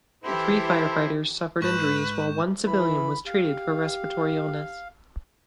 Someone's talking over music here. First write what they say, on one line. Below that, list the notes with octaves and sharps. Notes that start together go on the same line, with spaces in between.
Three firefighters suffered injuries while one civilian was treated for respiratory illness.
E3 E4 G4 A4 C5
G#2 B4 C#6 G6 E7
E3 B5
G4 F5